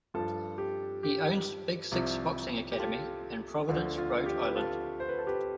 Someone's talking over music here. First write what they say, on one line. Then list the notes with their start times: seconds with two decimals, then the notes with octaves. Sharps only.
He owns Big Six Boxing Academy in Providence, Rhode Island.
0.14 G2 F3 F4 A4
0.58 G4
1.03 G4
1.92 C2 C3 F3
2.71 G4
2.79 F4 A4
3.68 D2 D3 F3
3.98 F4
4.18 F4
4.26 G4
4.45 B4
4.56 F4 A4
5.00 C5
5.09 B4
5.19 A4
5.27 G4 B4